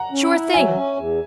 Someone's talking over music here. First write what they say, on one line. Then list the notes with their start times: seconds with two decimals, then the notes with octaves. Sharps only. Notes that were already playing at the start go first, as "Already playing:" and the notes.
Sure thing.
Already playing: F#5 A#5
0.12 C#4
0.33 E4
0.54 F#3 E5 G#5
0.75 C#4
0.96 E2